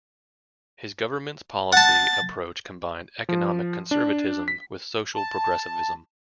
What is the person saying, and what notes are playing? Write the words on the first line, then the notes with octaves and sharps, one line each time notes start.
His government's policy approach combined economic conservatism with social progressivism.
F#5 A5 A6
F3
D4
B6
A5